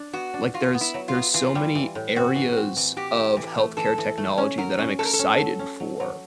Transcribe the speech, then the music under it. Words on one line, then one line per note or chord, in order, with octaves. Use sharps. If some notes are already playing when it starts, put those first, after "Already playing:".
like, there's there's so many areas of health care technology that I'm excited for,
Already playing: D4
B3 F#4
D4
F4 F#4
B3
E4
F#3
F4
B3
E3 F4
G3
E3
A2
C4 F#4
E3
C4
E3
F#4 G4
A3
E3
A3
E3 A4
E3
A3
C#4
F#3 A#4
C#4
A3 A4
A#4
A4
C#4
F#3
C#4
F#3
F#3